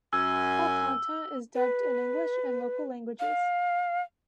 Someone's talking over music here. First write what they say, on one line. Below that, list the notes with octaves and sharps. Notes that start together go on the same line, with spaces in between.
All content is dubbed in English and local languages.
F#2 G#5 E6
B4
F5